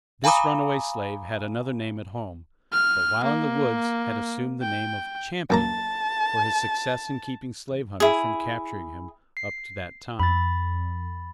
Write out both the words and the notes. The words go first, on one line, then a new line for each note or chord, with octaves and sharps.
This runaway slave had another name at home, but while in the woods had assumed the name of Champion, for his success in keeping slave hunters from capturing him up to that time.
F5 G#5 A#5 B5 D6 D#6
F6
A#3
G5
F#2 A#3 A5 A#5
E4 G#4
C7
F2 B5 A6